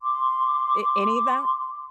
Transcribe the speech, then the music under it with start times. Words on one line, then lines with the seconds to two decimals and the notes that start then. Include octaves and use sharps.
A any of that?
0.01 C6 D6